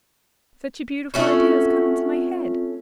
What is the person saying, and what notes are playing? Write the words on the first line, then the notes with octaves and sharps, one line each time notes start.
Such a beautiful idea has come into my head!
A3 C4 C#4 F4 F#4